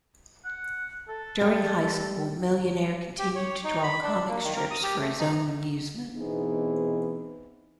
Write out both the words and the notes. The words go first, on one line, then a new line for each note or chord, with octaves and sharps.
During high school Millionaire continued to draw comic strips for his own amusement.
F#5
A4
G3
G4
C#5
D#4
B5
D4
A#3
D#3
A#4
D#6
G4
A3
D#4
B2 E3 B3 C4 D#4 G#4